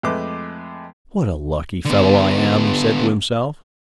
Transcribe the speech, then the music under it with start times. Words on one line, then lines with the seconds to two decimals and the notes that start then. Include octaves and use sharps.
"What a lucky fellow I am!" he said to himself.
0.03 F2 G#3 A3 B4 D6
1.85 D3 B3